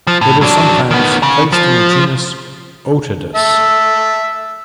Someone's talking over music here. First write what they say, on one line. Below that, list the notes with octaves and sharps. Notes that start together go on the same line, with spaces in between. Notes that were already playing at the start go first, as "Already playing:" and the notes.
It is sometimes placed in the genus "Otodus".
F3
A2
F#3 D4
D#3 B3
C#3
F3
E5 A5